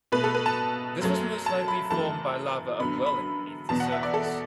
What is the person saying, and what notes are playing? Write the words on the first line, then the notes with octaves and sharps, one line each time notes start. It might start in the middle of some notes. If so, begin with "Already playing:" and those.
This was most likely formed by lava upwelling beneath the surface.
B2 A3 B4
A4
B4
A5
F#2 F#3 A3
A5
B5
F#2 E3 A3 A5
F#2 D3 B3 B5
B5
E2 B2 B3 A5
F#5
E5
D5
A4